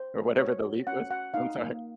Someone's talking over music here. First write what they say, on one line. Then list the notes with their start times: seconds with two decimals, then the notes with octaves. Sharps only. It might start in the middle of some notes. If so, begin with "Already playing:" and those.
Or whatever the leaf was. I'm sorry.
Already playing: C5
0.16 A3
0.39 F#4 C#5
0.63 F#4
0.87 C#4 F#5
1.10 F#4 F#5
1.34 D#4 F5
1.58 A#3